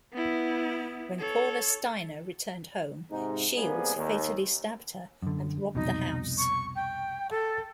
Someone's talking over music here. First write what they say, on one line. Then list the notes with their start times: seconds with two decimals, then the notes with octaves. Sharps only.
When Paula Steiner returned home, Shields fatally stabbed her and robbed the house.
0.13 B3 E4
1.19 A4 C#5
3.11 G#2 C3 D#4
3.55 C2 C3 G3 A#3 B3 G#4
3.96 D#2
5.22 F#2 D3
5.75 C2 F2 B2 D#4
6.38 C#6
6.75 G5
7.30 A4